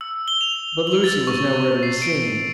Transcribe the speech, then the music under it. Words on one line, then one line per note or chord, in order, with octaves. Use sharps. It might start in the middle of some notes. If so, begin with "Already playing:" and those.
But Lucy was nowhere to be seen.
E6
G7
F7
F#7
A6
C#6
C7
D7